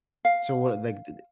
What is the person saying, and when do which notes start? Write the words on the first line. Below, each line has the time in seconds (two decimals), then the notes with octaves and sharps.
So what, like, did they
0.25 F5